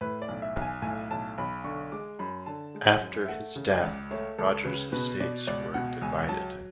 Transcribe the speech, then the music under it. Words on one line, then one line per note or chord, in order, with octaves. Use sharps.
After his death, Roger's estates were divided.
A2 B4
D5
B1
E5
B1
G#5
A2 G#5
B1 A5
B1 B5
D3 C#6
G#3 D6
F#2 B5
D3 A5
G#3
G#5
F#2
E5
A3 F#5
C#3
D5
C#2
A3 C#5
C#2 A4
C#3 B4
B2 B4
B2 D5
C#2 D5
B2 F#5
C#2 G#5
F#3 A5